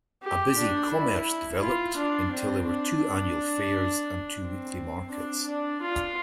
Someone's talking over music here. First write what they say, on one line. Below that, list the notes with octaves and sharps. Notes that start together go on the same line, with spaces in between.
A busy commerce developed until there were two annual fairs and two weekly markets.
G4
D4
E4
F4
D4
C4
D4
C4
D4
D4
F4